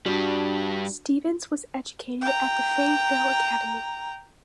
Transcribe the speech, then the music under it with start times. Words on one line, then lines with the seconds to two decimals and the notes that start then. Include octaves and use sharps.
Stephens was educated at the Fayetteville Academy.
0.06 G2 G3 D4 F#4
2.22 G5 A#5